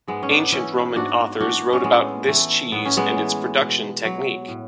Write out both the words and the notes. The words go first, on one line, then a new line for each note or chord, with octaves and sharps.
Ancient Roman authors wrote about this cheese and its production technique.
G#2 G#3 B3
C#4
B3 D4
E3 C#4 E4
G#2 D4 F#4
E3 D4 F#4
C#4
A2 G#3 B3
E3 A3
A2 B3
C#4
G#3 B3
E3
B2
F#3
A2